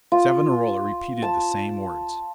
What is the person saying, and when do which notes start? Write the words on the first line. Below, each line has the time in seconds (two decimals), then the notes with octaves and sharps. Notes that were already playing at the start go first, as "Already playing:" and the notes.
Savonarola repeated the same words.
0.12 F4
1.22 A5